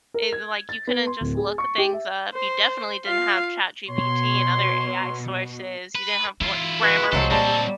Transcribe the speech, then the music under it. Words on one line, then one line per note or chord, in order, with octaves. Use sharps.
It like, you couldn't just look things up, you definitely didn't have ChatGPT and other AI sources, you didn't have gl Grammarly
A#4
G#6
A6
B3
C6
D1
G#4
C#6
G4
E5
C5
F4 F5
B2 C#5 C6
B4
E3 E4 F4
F#4 B4
C2 F3 F#3 G#3 A4
A#2 F#3 G3 C4 A5